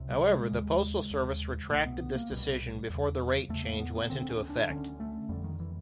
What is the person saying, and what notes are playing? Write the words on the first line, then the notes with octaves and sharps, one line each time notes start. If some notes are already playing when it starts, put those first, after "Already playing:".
However, the postal service retracted this decision before the rate change went into effect.
Already playing: C#2 C3
G3
G#3
D#2 C#3
D#2 C#3
C2 B2 A3
B3
B3
A#3
C2 B2 G3
E2 C#3
E2 C#3 A3
A#3
B3
B3
D2 D3 C4
C#4
D4
D2 D3 C#4
A3
F2 D3 G3
D#3
E3